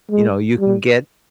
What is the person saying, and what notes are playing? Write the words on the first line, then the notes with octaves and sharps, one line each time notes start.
you know, you can get
G#3
G3